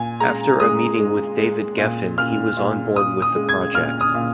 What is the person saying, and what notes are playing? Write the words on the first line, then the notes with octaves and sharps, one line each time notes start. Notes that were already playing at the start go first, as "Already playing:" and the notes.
After a meeting with David Geffen he was on board with the project.
Already playing: A#2 G#5
G#3 A#5
G#3 D#6
G#3
G#3
A#2
A#2 F6
A#2
A#2 D#6
D#6
G#3
G#6
A#2 F6
D#6
A#2